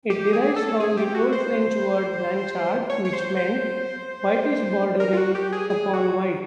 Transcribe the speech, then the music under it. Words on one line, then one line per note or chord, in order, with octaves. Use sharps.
It derives from the Old French word "blanchart" which meant "whitish, bordering upon white".
G4
G#4
A4
G#4
G4
F#4
C5
C#5
C#5
C5
C5
A#4
F4
F#4
G4
G#4
G#4
F#4